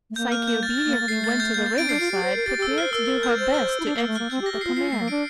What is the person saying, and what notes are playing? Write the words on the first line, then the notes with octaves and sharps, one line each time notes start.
Psyche obediently went to the riverside, prepared to do her best to execute the command.
A3
A#3 G6
F6
G6
A6
A6
A#3
A6
A#3
A3 C7
A6
G6
A#3 G6
A6
C4 D7
D4 C7
F4
G4
C5
A#4
G4 A6
G4 E6
A4
C5 F6
A#4 E6
E6
G6
C5 A6
F6
E6
E4
D4
A#3 E6
A3
A#3 F6
C4 G6
G4
A#6
G4
F4 C7
F4 C7
A3 C7
A#3
D4 D7